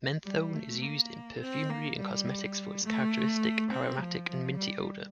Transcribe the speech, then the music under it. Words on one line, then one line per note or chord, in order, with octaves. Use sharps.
Menthone is used in perfumery and cosmetics for its characteristic aromatic and minty odor.
G3
A3
A#3
C4
A#3
G3
A3
C4
F3
F3
G3